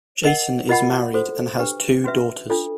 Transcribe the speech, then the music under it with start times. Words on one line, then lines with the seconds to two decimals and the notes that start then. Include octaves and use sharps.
Jason is married and has two daughters.
0.24 A#4 D#5 F#5
0.69 F4 A#4 D#5 F#5 B5
1.14 F#4 A4 C5
1.59 D4 G4 B4
2.04 C#4 F#4 B4 E5
2.50 D4 F4 A4